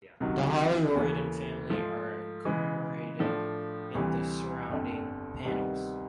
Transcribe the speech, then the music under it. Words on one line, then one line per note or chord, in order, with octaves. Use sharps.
The Holroyd family are commemorated in the surrounding panels.
C#2 C3 D#3 F#3
D#2 C#3 E3 A3 C#4
G#2 F3 A3
C#3 E3 G#3
A2 F3 A3 D4 F4
D2 C3 E3 G3
G1 F2 D3
D2 C3 D#3 G3 B3